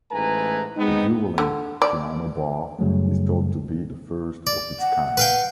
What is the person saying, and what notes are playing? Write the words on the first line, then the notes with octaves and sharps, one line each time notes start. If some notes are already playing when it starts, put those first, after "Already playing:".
The dueling piano bar is thought to be the first of its kind.
A1 G#2 A3 B4 G#5 A#5
G#3 B3 C4 D#4
D3
D5
F#2 C#3 F#3 G3 A3
D5
F#5
B4 F5 G5